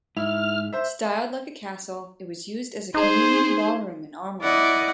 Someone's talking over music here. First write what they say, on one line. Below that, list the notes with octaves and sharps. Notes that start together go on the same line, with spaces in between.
Styled like a castle, it was used as a community ballroom and armory.
G#2 E4 F6
C5 E5
D#4 G#4 C5
E4 D5 D#5 F#5